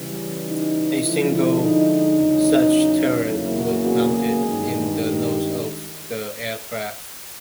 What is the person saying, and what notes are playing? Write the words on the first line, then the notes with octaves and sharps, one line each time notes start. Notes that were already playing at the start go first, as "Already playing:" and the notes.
A single such turret would mounted in the nose of the aircraft.
Already playing: C#3 E3 G3
D#4
D3 F3 G#3 E4
E4
D#4
E2 C#3 F#3
E2 C#3 F#3 A#3 E4
F#4
G#4
G2 D#3 G#3
G4